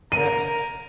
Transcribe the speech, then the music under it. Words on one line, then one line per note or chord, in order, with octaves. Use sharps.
'That's it!
A#4 D#7